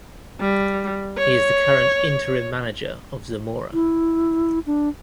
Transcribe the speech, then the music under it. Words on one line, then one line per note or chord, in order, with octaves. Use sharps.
He is the current interim manager of Zamora.
G3
C#5
E4
D4